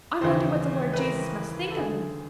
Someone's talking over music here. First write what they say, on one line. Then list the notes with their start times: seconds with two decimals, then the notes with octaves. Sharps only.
I wonder what the Lord Jesus must think of me.
0.21 D#2 C#3 E3 C5
0.93 B4
0.98 A#4
1.70 A4
1.76 D2 D3 G#4